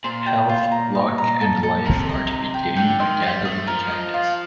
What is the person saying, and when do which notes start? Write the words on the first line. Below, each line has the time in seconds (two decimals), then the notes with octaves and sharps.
Health, luck, and life are to be gained by gathering the cactus.
0.04 A#2 C5
0.26 G5
0.49 F4
0.72 A#5
0.95 D#5
1.18 A#5
1.41 A4
1.63 A4
1.86 C3 A#4
2.09 D#5
2.31 D#4
2.54 G5
2.77 D3 G5
2.99 D#3 C6
3.22 G3 C5
3.45 A3 D#6
3.67 F3 A#4
3.91 D#5
4.14 F4